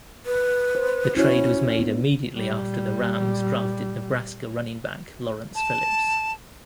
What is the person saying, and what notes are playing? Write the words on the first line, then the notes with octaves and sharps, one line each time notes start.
The trade was made immediately after the Rams drafted Nebraska running back Lawrence Phillips.
B4
C5
C#4 E4 F#4 C#5
B3 D4
A#2 G3
A5